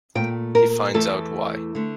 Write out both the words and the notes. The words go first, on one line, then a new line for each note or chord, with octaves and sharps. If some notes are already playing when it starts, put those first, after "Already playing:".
He finds out why.
A#2 A3 G5
A#4
E2 E3 A3 A4
D3 A3